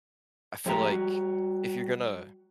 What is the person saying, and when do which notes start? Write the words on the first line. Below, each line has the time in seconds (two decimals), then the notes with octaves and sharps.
I feel like if you're gonna
0.66 F2 G#2 G#3 A3 G4 A#5
0.91 G3 F#4